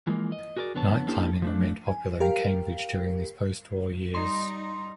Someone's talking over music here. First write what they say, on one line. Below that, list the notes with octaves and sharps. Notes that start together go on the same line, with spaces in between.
Night climbing remained popular in Cambridge during these post-war years.
E3 F3 G#3 A#3
D#5
F#4 G#4 A#4 C5 D5
F2 D3 B3 C#5 A5
A#3 C#4 D4 E4 G4 A4
F3 A3 D4
G#5
G4 A#4 F5 G5
G3 D#4 C6